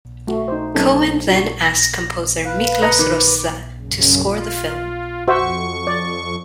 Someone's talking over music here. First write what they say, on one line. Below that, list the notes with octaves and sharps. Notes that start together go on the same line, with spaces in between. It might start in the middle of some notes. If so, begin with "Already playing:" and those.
Cohen then asked composer Miklos Rozsa to score the film.
A3 F#4
D#4 C5
F#3 A#3 C4 C#4 D#4 A4
D4 F4 F#4
A#6
B4 F5
D#5 A#5 C#7
D#3 D6
F#2 C#3
F4
F2 F#4 C5 E5 C#6
D5